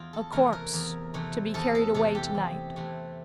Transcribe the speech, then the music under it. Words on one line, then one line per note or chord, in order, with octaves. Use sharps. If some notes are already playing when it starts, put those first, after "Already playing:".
"A corpse to be carried away to-night."
Already playing: E2 F4
A4
C3 E3 A3 A#4
A#4
E2
C3 E3 A3
E2 A4
A4
C3 E3 A3 A4
G4
E2
C3 E3 A3